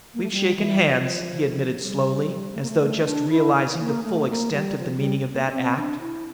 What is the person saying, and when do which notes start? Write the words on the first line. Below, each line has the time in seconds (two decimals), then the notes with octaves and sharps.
"We've shaken hands," he admitted slowly, as though just realizing the full extent of the meaning of that act.
0.14 A#3
0.23 A3
0.31 G3
0.56 E3
0.81 F3
1.80 G3
2.54 A3
2.62 A#3
2.69 A3
2.80 A3
3.04 D4
3.29 E4
3.78 A#3
4.03 A3
4.28 A#3
4.52 G3
4.78 F3
4.96 G3
5.33 A#3
5.46 D4
5.51 C4
5.77 D4
6.00 E4